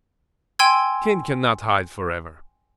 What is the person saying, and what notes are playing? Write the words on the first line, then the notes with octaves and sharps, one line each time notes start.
Kane can not hide forever.
G5 G#5 C6 E6 G#6